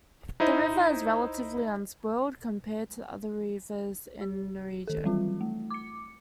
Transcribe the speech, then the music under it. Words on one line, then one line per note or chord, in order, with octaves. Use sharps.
The river is relatively unspoiled compared to other rivers in the region.
D#4 E4 C5 D#5
G4
D#3 A4
E3 F#3 G3 C4 F4
A3
D6 C#7